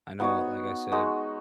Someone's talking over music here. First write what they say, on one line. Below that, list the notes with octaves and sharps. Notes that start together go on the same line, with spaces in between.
I know like I said,
B3 D#4 F#4 C#5
G#3 D#4 F#4